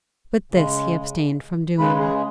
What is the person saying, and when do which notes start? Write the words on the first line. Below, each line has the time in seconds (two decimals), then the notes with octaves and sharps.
But this he abstained from doing.
0.52 C#3 G#3
1.78 C#3 G#3 B4
1.99 G#4